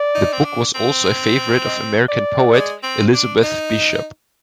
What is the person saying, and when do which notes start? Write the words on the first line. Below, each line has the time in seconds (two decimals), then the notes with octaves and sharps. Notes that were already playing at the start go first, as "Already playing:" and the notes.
The book was also a favourite of American poet, Elizabeth Bishop.
Already playing: D5
0.15 D#4
0.33 C4
0.45 D4
0.75 C4
1.65 D#5
2.09 D5
2.54 G#3
2.84 C4
3.14 D4
3.43 D#4